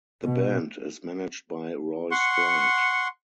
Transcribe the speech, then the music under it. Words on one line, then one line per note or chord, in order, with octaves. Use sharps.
The band is managed by Roy Stride.
B2
F#5 C6 C#6